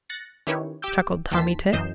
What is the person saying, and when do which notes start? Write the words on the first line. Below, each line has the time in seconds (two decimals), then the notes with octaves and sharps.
Chuckled Tommy Tit.
0.09 F#6 A6 A#6 C#7
0.47 D#3 C#4 E4 G4 B4 C#5
0.82 G4 D6 E6 G6
1.31 D#2 E3 G5 A5 C6 B6
1.72 F#2 E3 D#5 G6 C7 E7